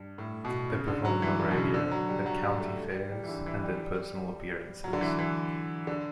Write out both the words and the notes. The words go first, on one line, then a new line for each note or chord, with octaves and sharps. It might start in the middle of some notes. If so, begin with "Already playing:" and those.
They performed on radio, at county fairs, and did personal appearances.
Already playing: G2
A2
B2
C#3
D3
F#3
E3
D3
B2
C#3
D3
F#3
G3
F#3
G3
A3
G3
G3
E3
D3
E3
G3
F#3
D3
E3
E3
D3